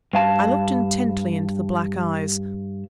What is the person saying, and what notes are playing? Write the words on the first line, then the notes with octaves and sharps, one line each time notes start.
I looked intently into the black eyes.
G2 F5 A5